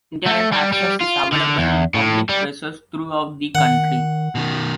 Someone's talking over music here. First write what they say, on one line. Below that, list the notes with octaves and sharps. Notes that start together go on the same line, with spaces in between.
Internet access is available in public places throughout the country.
A3
G3
G3
F4
D3
E2
A2
G3
D#3 F#5
B2 D#3